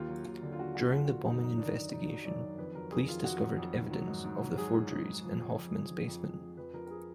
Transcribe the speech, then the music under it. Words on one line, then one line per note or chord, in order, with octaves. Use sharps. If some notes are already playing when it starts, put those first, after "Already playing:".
During the bombing investigation, police discovered evidence of the forgeries in Hofmann's basement.
Already playing: D#2 F4
F#3
D#2
D3
F4
D#2 F#4
F#3 F#4
D#2 F4
F#4
D3 F4
F#2 D#4
F#3 D#4
F#2 D4
D#3 D#4
F#2 D#4
F#3
F#2 D5
D#3
F2 B4
F#3 A#4
F2 G#4
D#3 F4
F2 F#4
F#3
F2
D#3
F#3
G#2
G#2
F#3
F#3 G#4
G#2
G#2
F#3
F3
F2
F2
F3
F3
F2
F2
F3
F2 B4
F3 A#4
A#4
G#4